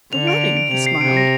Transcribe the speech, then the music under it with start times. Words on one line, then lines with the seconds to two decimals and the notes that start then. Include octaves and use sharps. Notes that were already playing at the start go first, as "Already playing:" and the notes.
"The wedding," he smiled.
0.12 D3 F7
0.27 D7
0.41 F7
0.57 D7
0.71 C3 F7
0.86 C7
1.01 C3 D7
1.17 A#6